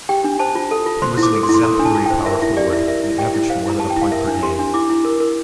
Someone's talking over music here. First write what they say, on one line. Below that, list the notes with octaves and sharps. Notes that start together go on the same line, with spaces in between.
He was an exemplary power forward, and averaged more than a point per game.
G4 G5
D4
C5 A5
F4
A4
F4
C5 C6
E4
D6
A4
C6
E4
C6
A4 A#5
D4
A5
F4
C5 G5
A#4 E5
E4 E5
G4 D5
E4 E5
A#4 E5
E4
G4 G5
E4
C5 F5
E4 A#5
G4 A5
G5
E4
F5
A#4 E5
D4
G4 C6
D4
E4 D6
E4
A#4
A#4